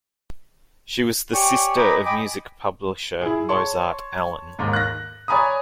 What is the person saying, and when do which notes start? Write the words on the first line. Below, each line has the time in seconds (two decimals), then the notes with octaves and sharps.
She was the sister of music publisher Mozart Allen.
1.33 G4 C#5 D5 G#5
1.76 D#5 G#5 A#5 B5 D6
2.05 D#5 G5 G#5 B5 D6
3.21 E4 G#4
3.49 C#5 A5 C6 C#6
4.59 D#2 G#2
4.73 F#6 A#6
5.28 C#5 D5 G#5 A#5 B5 D#6